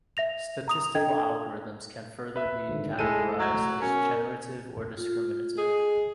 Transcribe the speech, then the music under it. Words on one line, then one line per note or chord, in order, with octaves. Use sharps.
Statistical algorithms can further be categorized as generative or discriminative.
E5 A#6 F7
A#5 D#6 F7
D4 A4 D#5 G5 G#6
B4 E5
G#1 D2
G#3 A3 E4 A4 D#7
F#3 E6 G#6
B2 C#4 F#4 A#4
F4
G#4 D#5